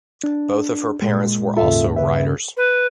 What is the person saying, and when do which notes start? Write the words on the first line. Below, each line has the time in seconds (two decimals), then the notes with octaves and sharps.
Both of her parents were also writers.
0.24 D4
1.02 A#2 G#3
1.57 D#2 G#2 C#3 F4 A4 E5
1.96 G2 C#3 B4 E5
2.57 B4